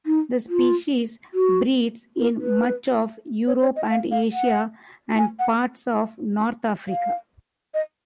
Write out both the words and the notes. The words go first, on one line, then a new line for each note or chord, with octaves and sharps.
This species breeds in much of Europe and Asia and parts of north Africa.
D#4
F4
F#4
A#4
B4
C#5
C#5
D#5
F5
F5
F#5
G#5
F#5
F5
D#5